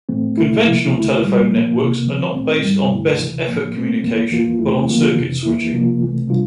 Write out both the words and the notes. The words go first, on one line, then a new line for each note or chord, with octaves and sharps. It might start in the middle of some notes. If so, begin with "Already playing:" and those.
Conventional telephone networks are not based on best-effort communication, but on circuit switching.
A2 E3 A3 C4
C2 A#2 A3 E4
C3 F3 A#3 E4
D2 D3 A3 E4
C2 A#2 G3
A#2 F3 A#3
E2 C3 E3 A#3
D3 F3 C4
C2 A#2 A3 C4
G2 E3 G3
G2 D3 A3 E4
D2 C3 E3
A2 F3 A#3
A#2 A3 C4
E2 E3 A#3
E2 E3 A#3 F4
E2 E3 A3 E4
D3 F3 A#3 F4
F2 C3 E3
E2 E3 A#3 E4
C3 F3 A#3 F4
C2 C3 E3 A3
C3 E3 G3 D4 F4